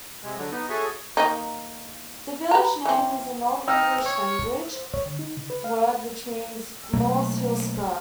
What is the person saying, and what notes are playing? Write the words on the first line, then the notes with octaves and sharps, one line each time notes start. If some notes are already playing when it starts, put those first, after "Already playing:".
The village name is an Old English language word which means 'Mul's hill spur'.
C3 G#3
D3 F#3
B3 D#4
F#4 G#4 A4 C#5 E5
D#3 A#3 D#4
B4 A#5
E3 C4
D#4 G5 E6 F6
C#5
C5
C#5
D3
D#4
C#3
B4
F5
B2 F#3 A3 A#3